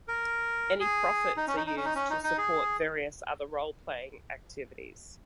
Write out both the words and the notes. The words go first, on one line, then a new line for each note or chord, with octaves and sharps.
Any profits are used to support various other role-playing activities.
A#4
G#4
D#4
C#4
D#4
D#4
C#4
D#4
C#4
D#4
D#4
G#4